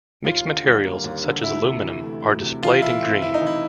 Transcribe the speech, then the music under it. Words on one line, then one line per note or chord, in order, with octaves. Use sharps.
Mixed materials such as aluminum are displayed in green.
D#2 F4
D3
G3
A#3
D#2
D3
D2 E4
C3
E3
A3
D2
C3
E3 F4
A3 E4
C4
E3 E4
D#4
E3 E4